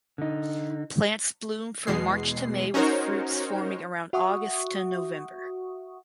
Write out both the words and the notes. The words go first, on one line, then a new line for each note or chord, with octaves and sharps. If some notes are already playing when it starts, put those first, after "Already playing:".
Plants bloom from March to May with fruits forming around August to November.
D3 D#4
E2 B2 G#3 C7
C#4 D#4 F#4 A#4 C5 C#5
F#4 E5 F#5 C#6 D#6